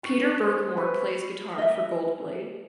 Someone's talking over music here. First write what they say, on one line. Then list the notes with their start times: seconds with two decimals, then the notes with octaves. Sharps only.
Peter Byrchmore plays guitar for Goldblade.
0.03 C#6
0.43 C5
0.77 B4 C#6
1.58 D#5 E5